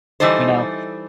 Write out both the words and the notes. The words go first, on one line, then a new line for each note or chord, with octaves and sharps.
You know,
E3 G3 D#4 A4 C5